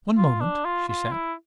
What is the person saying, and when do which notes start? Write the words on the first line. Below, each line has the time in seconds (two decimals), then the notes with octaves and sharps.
"One moment," she said.
0.17 F4
0.40 D4
0.65 F4
0.88 F4
1.12 E4